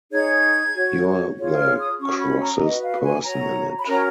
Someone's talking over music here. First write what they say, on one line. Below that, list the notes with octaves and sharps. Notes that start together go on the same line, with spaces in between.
You're the crossest person in it!
D#4 G#4 C#5 G#6
F#4 C#5
F4 G#4 C#5
F6
D#6
C#4 F#4 C#5 C#6
B5
A#5
F#4 B4 D#5
F5
G#5
F#4 C#5 A#5
B5
C#4 F#4 A#4 C#5 A#5